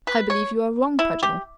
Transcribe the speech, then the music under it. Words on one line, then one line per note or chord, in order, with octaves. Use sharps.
"I believe you are wrong, Paganel."
B4
C#5
E4
G4